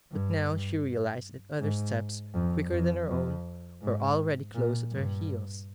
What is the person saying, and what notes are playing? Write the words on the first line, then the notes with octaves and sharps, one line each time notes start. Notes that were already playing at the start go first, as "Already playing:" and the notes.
But now she realised that other steps, quicker than her own, were already close at her heels.
G2
G#2
F2
F2
F2
G#2
A#2
G2